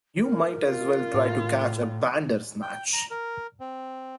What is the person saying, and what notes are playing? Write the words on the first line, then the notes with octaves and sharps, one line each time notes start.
You might as well try to catch a Bandersnatch!
A#4
F4
A2
G5
A#5
A#4
C4